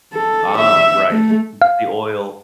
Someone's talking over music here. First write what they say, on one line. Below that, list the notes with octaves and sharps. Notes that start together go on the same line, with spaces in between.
Ah, right. M the oil.
A4
E5
A3
F5